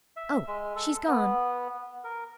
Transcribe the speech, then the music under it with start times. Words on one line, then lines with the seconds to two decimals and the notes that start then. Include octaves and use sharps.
"Oh! she's gone!"
0.16 E5
0.47 G#3
0.76 A4
1.08 B3
2.04 A#4